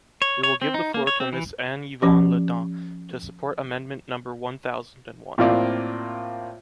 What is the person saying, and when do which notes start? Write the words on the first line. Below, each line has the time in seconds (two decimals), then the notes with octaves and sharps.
We will give the floor to Mrs Anne-Yvonne Le Dain, to support amendment number one thousand and one.
0.22 C#5
0.43 C#5
0.62 C4
0.74 D#4
0.94 A#3
1.07 C#5
1.20 C4
1.33 E3
2.02 F3 C#4 G4
5.38 A2 A#3 C4 F4 C5 D5